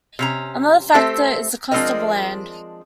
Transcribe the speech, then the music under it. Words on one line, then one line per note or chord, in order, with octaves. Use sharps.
Another factor is the cost of land.
C3 C#4 A#5
A3 C4 G4 A4 C5 E5
F3 G#3 C4 D4 A#4 D#5